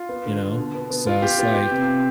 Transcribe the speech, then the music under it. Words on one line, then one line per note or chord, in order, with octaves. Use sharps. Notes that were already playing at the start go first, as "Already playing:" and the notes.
you know? So it's like,
Already playing: F4
B3
D3
D3
B2
B3
B3
B3 F4
B3 G4
B3 F4
B3 G4
C3
C3